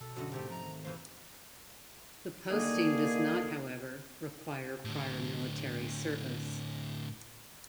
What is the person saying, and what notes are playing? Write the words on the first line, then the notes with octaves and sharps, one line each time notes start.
The posting does not however require prior military service.
B2 A4
F#2 D3 F#4 D#5
G#2 C3 A3 G4
F3 A#5
D#3
B2 E3 A#3 C5
D3 D#3 A#3 G#4
A2 D3